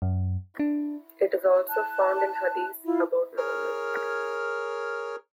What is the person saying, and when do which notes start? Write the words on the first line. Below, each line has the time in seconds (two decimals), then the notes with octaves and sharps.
It is also found in hadith about Muhammad.
0.02 F#2
0.59 D4
1.68 A5 F#6
2.84 E4 F4
3.37 G#4 A#4 C#5 F6